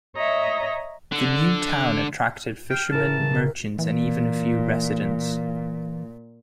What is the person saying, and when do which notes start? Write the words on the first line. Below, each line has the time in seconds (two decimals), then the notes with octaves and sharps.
The new town attracted fishermen, merchants and even a few residents.
0.16 C#5 D#5 E5 A#5
1.12 D3
2.70 G5 F6 C7 D7
2.92 A1 E4 A#4 A5
3.20 C#3
3.79 A#2 E3